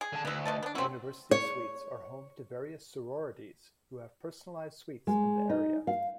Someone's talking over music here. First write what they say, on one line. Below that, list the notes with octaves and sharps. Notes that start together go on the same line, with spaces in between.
University Suites are home to various sororities who have personalized suites in the area.
G#4
D3 A5
D2 B3 E4
B2 D#5 A5
B3 D4
C4 C#4 E4 F#4
C#5
G#3
D#4
F5